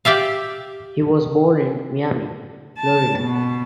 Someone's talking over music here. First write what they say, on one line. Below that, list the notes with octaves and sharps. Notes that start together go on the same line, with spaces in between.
He was born in Miami, Florida.
G4 D5 E5 F5
A5
B2